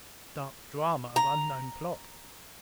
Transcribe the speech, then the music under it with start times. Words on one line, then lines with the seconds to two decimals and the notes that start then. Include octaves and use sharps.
Dark drama of unknown plot!
1.16 A#5